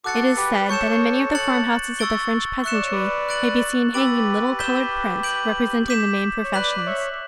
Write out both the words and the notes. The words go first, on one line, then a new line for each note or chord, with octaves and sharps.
It is said that in many of the farmhouses of the French peasantry may be seen hanging little colored prints representing the main professions.
F#4 A4 D6 F#6 A6 C#7
A4
G4 B4
B4
A4 C#5 C#6 G6 C#7 E7
F#6 A6 C#7 F#7
C#6 E6 A6 D7 G7
E5 C#6 F#6 C#7 E7
D5
C#5
B4 D5
F#6 A6 D7 F#7
G4 B4 E6 A6 D7 F#7
G6 B6 E7 G7
G6 D7 F#7
D6 G6 B6 E7
C#5
B4 D5 F#6 B6 F#7
D5
C#5 E5